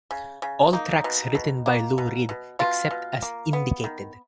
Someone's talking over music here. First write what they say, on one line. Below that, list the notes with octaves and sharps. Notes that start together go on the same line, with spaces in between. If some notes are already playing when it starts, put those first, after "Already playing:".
All tracks written by Lou Reed except as indicated.
C#3
C#3
A#3 D#4
B2
B2
A#3
B2
B2
B2 F4
B2
A#3
B3
D#3